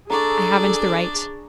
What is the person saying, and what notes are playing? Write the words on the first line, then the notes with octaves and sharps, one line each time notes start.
I haven't the right.
D4 G#4 A4 D5 A#5 C#6